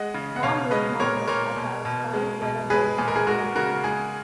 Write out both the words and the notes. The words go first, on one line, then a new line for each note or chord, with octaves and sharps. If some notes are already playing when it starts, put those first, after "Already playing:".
Mahmoud Mahmoud Atta's current whereabouts are unknown.
Already playing: G#3 D#5 F#5
C#3
F#5
B2 C#5 F5
G#3 B4 D#5
A#2 A#4 C#5
A#2 A#4 C#5
B2
B2
G#3
B2
G#3 G#4 B4
A#2 G#4
A#4
G#4
G#3 F#4 A#4
C#3 F#4 A#4
G#3 G#4